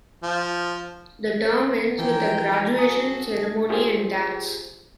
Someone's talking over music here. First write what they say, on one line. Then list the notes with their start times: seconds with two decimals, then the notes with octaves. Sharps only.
The term ends with a graduation ceremony and dance.
0.23 F3
1.98 E3 F3 G5 A#5
2.77 F#4 A4 G#5 D#6
3.69 F4 G4 G#4 C5